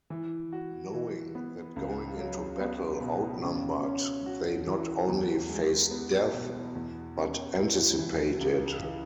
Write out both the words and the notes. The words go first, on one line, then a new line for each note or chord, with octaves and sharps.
Knowing that going into battle outnumbered they not only face death but anticipate it.
E3
F#4
E3
B3
C#2
F#3
B3
B2
C#3
C#4
F#4
E3
E2
G#3
B3
B2
E2
C#4
E4
E3
C#2
E3